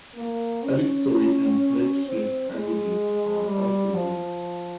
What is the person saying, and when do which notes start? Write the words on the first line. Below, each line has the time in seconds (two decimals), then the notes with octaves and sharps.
Ellipsoid and plate-shaped aggregates are also used.
0.15 A#3
0.63 C#4
2.05 C4
2.52 G#3
3.47 G3
3.94 F3